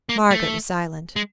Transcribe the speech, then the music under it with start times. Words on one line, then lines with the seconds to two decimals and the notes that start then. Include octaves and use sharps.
Margaret was silent.
0.09 A#3
0.31 A3
1.16 G#3